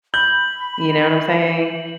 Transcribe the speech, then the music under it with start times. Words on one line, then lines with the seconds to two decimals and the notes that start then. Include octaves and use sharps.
You know what I'm saying?
0.14 B5 G6 F#7